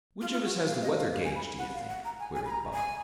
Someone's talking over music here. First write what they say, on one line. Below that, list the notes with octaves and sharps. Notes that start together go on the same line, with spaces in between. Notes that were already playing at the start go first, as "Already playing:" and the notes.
"Which of us has the weather-gauge, d'ye think?" queried Bob.
F4
F4
F#4
F5
D#5
F5
F5
G#5
B5
F#5
F5
F#5
A#5
G#5
G#5
B5
A#5
G#5